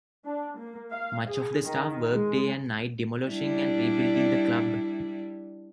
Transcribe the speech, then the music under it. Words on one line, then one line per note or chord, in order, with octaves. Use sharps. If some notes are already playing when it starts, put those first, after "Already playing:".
Much of the staff worked day and night demolishing and rebuilding the club.
D4
A#3
F5
G#4
D#3
G#3
G3 D4 E4